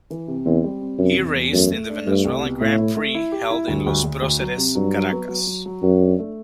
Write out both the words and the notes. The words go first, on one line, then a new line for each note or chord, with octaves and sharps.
He raced in the Venezuelan Grand Prix held in Los Proceres, Caracas.
E3
C3
E2 C4
G3
C4
F#2 C3
E2
E2
F#2 A3
A3
D4
G2 A3
C2
B2
A2 A3
E4
A3
E4
G4
E4
D2 G2
D2
D2
D2
F#3
C3
G2 F#3
F#3
B3
F#3
F#3
F#3
F#2 F#4
D4
A3